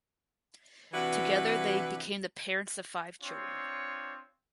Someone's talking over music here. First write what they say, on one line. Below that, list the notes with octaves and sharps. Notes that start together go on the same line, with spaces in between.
Together they became the parents of five children.
C3 E3 D4 E4 F#4 B4
C4 D4 F4 C#5